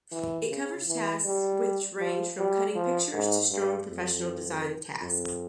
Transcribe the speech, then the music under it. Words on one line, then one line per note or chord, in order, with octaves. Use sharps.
It covers tasks which range from cutting pictures to strong professional design tasks.
E3
C#3
E3
G3
F3
G3
F3
G#2
G2
F2
F2